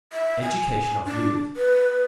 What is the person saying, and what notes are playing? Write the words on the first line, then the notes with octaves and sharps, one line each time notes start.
Education of Youth.
E5
G#5
D4
B4